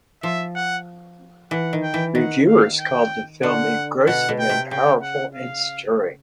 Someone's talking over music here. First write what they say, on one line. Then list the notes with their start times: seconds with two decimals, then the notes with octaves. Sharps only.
Reviewers called the film "engrossing" and "powerful and stirring".
0.23 F3 E5
0.56 F#5
1.51 E3 F#5
1.73 D#3
1.83 G5
1.94 E3
2.15 D#3 F#5
2.47 F5
2.79 G5
3.43 D3 F#5
4.07 B2 F#5
4.29 B2
4.39 G5
4.50 C3
4.71 C#3 G5
5.03 F#5
5.35 F5